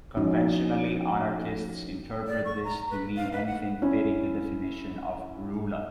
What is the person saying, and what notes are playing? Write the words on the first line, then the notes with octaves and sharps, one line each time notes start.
Conventionally, anarchists interpret this to mean anything fitting the definition of "ruler".
F3 C#4 D#4 E4 F#4
D5
C#6
A#5
B4
F5
B4
F#5
C#4 E4